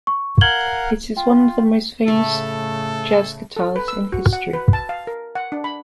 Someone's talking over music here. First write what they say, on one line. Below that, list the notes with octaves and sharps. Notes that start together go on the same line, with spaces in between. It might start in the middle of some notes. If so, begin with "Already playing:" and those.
It is one of the most famous jazz guitars in history.
C#6
A#4 F5 F#5 G#6 F#7 G7
F4 G5
A2 C#3 A3 A4
A4
B4
E6
F#4
F#5
B4
A5
F5
A#4
F#5
D4
B5